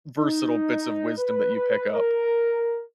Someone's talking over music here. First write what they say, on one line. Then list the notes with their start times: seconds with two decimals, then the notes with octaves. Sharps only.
versatile bits of wisdom that you pick up.
0.17 D#4
1.18 B4
1.92 A#4